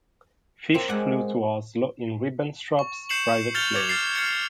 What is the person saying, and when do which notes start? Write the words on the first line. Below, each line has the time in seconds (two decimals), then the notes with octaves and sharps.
Fish flew to Oslo in Ribbentrop's private plane.
0.74 A#3 C4
0.89 G#3 D5 F#5 G#5
2.79 C#6
3.09 G6 C7 C#7 E7 F#7
3.55 F6 G6 A6 C#7 F7 G7
3.75 D6 G#6 A6 C#7 F7
3.89 F6 A6 C7
4.15 F6 G#6 C#7